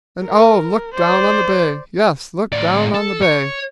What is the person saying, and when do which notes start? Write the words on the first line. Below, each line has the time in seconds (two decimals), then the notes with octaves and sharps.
And, oh, look down on the bay; yes, look down on the bay!
0.24 A#4
0.94 C5 D5
2.52 A2 D5
2.94 A4
3.22 C#5